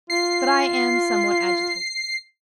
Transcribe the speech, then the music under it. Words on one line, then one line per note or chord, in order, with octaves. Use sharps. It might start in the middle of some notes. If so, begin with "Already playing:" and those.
But I am somewhat agitated.
F4 C7